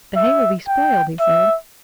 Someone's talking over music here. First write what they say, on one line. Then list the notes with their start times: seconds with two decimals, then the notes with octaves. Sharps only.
"The hay will be spoiled," he said.
0.16 E5
0.68 G5
1.20 E5